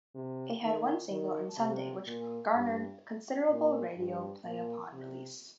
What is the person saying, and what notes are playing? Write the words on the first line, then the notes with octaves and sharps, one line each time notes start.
It had one single in "Sunday" which garnered considerable radio play upon release.
C3
D#3
D#3
C3
A#2
G2
A#2
G2
A#2
C3